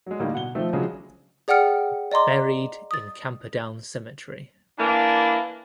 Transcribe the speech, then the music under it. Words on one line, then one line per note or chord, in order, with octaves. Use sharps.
Buried in Camperdown Cemetery.
F#3 G#3
A2 D3 G3 A#3 D#4
B2 F#5 G7
D#3 F3 A3 C4
C#3 F3 F#3 G#3 D4 G#4
G#4 D5 F#5 G5 F6 C#7
D5 D#5 A#5 C6 D6
D#6 A6
E3 A#3 D4